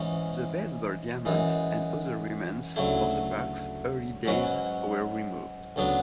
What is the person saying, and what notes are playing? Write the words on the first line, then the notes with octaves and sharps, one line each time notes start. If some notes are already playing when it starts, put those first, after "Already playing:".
The baseball diamond and other remnants of the park's early days were removed.
Already playing: G#2 E3 G#3 C#4
F#2 E3 G#3
D2 C#3 F#3 A3 E4
G#2 F#3 C#4 F#4 B4
D2 C#3 F#3 B3 D4